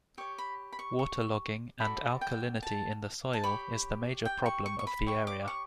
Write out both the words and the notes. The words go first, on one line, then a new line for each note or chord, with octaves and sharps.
Water logging and alkalinity in the soil is the major problem of the area.
G4 C#5 C#6
B5
B5
C#6
C#6
F#4 A4 D5 B5
G5
A5
A5
G4 C#5 B5
G5
C#6
C#6
C#6
B5
G4 C#5 C#6
D6
C#6